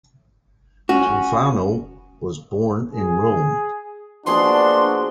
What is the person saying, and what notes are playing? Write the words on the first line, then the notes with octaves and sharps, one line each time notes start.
Tofano was born in Rome.
C#4 F#4
G#4
F3 A#3 B3 D4 F#4 G#4 D#5 C6